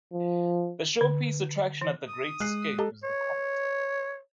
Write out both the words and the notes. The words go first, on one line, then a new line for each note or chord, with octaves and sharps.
The showpiece attraction at The Great Escape is the Comet.
F3
D3
E3
D#6
G#3 F#6 C7
G4 A4 D#5 A#5
C#5